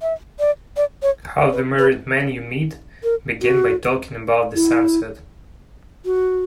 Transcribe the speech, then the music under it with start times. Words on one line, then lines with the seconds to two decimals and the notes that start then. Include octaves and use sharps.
Half the married men you meet began by talking about the sunset.
0.02 E5
0.39 D5
0.77 D5
1.02 C#5
1.53 B4
1.78 B4
3.03 A#4
3.41 F#4
4.54 E4
6.05 F#4